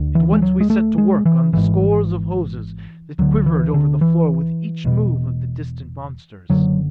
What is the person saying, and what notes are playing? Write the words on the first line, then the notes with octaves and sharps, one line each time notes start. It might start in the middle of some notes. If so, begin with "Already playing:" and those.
At once we set to work on the scores of hoses that quivered over the floor with each move of the distant monsters.
Already playing: D2 D3
E3
G#3
F#3
G#3
A3
G#3
E3
G#1 G#2 E3
D2 D3 F#3
E3
D3
E3
E1 E2 B2
F#1 F#2 D3 F#3